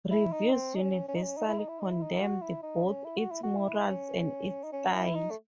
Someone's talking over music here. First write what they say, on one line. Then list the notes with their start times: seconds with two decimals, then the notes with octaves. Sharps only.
Reviewers universally condemned both its morals and its style.
0.10 E4
0.32 D#4
0.52 C4
0.75 D#4
0.81 C#4
1.08 C#4
1.15 D#4
1.23 C#4
1.37 D#4
1.48 E4
1.58 D#4
1.68 E4
1.79 D#4
1.90 E4
2.01 D#4
2.21 F#4
2.42 E4
2.62 D#4
2.84 C#4
3.04 E4
3.17 F#4
3.31 E4
3.43 F#4
3.57 E4
3.89 C#4
4.63 D#4
4.72 C#4
4.94 E4
5.14 D#4
5.31 A3